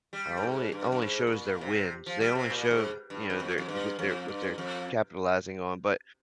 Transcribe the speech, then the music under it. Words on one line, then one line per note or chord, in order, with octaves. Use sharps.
only only shows their wins. They only show, you know, their what they're what they're capitalizing on, but
G3
G2
G#2
G2
G2
G#2
G#2
A#2
C3
F3
G3
C3
A#2
G#2
G2
G2
F2
F2
G2
F2
G2
F2